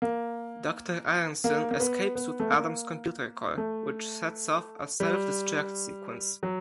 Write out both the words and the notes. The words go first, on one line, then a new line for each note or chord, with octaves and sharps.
Doctor Aaronson escapes with Adam's computer core, which sets off a self-destruct sequence.
A#3
A#3
A#3
B3
B3
A3
A#3
A3
G3
F#3